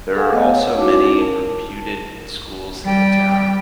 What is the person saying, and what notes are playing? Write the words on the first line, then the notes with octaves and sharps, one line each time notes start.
There are also many reputed schools in the town.
G#4 A4 F5 F#5 G#5
A3 B3 D#5 F5 F#5
C#5
C#4 D#4 E4 F#4 A5 D6
A#4 A5
G3 G5